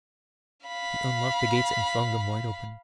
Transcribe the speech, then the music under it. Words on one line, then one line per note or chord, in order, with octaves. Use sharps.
He unlocked the gates and flung them wide open.
F5 B5